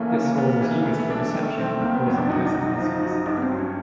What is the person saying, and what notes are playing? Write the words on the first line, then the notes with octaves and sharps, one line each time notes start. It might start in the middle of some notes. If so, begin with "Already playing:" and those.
This hall was used for reception of important personalities.
Already playing: C#3 E3 A3 A#3
C#3
B3
E3
A3 B3
A3 D4
D#3 A3
C4
D#3 A#3
B3
F#2 B3
D4
D#4 F#4
D4
D#4 F#4
F3
F#4
G2 D4
B3
C4
F#3
C#4